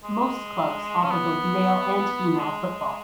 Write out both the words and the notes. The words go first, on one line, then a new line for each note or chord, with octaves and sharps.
Most clubs offer both male and female football.
G#3
C#4
B3
G#3